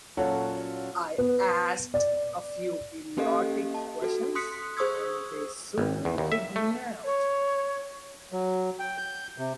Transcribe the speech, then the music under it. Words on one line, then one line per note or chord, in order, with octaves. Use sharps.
I asked a few idiotic questions, and they soon kicked me out.
A#2 F#3 C#4 F4 F#4 A4
B3
D5
A#3 C#4 G4 A4 D#5 F5
A5
F#4 A4
C6 D#6 F#6 B6 C#7
G#4 C5 C#6 D#6 E6 G#6
G#1
E2
D#2
E5
A3
C#5
F#3
G5
G6
C3